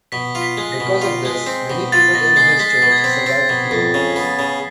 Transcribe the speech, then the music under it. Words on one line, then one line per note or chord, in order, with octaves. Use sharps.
Because of this, many people in his church survived the plague.
B2 B6
F4
B6
G#3
A#6
B2
F4
G#3
C4
B2
F4 A6
B2 A#6
G#3 C7
G#3 B6
B2 A6
G#6
C4 A6
C4
B2
F2
C#3
B3
C#3